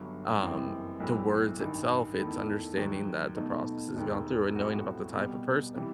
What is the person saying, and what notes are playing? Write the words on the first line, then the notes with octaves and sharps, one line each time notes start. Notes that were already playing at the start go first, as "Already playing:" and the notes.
um, the words itself, it's understanding that the process has gone through and knowing about the type of person.
Already playing: G1 G2 F#3
F#1 F#2 E3 G3 C4
B1 A2 F#3 C4 E4
A1 G2 D#3
E2 D#3 A3 E4
D#2 D#3 F#3
B2 A3 D#4
E1 D#2 D#3
B1 A2 G3 C4 F#4
C2 B2 G3
C3 E3 G3